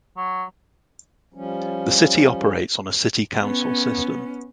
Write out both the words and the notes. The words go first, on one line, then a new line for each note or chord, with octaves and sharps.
The city operates on a City Council system.
F#3
F3 G3 C#4
B3 C#4